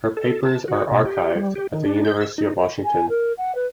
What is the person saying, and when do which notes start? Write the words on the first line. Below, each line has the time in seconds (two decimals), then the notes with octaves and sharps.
Her papers are archived at the University of Washington.
0.17 A4
0.43 A5
0.68 F#4
0.91 B2
1.06 G4
1.35 G3
1.55 G4
1.73 D#3
1.86 D4
2.05 G6
2.21 E6
2.38 D#4
2.84 G#5
3.09 A#4
3.38 F#5
3.55 B4